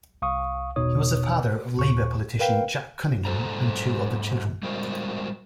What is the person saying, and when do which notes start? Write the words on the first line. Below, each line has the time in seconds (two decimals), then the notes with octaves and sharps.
He was the father of Labour politician Jack Cunningham and two other children.
0.22 C2 F5 C#6 D#6
0.76 G#1 E2 B2 D#4 C#5 D#6
1.77 D#2 A#2 C#6
2.39 A#4 B4 F5 G5
3.25 G#2 F3 A4 C5 A#5
4.63 G3 G#3 F#4 A#4 C5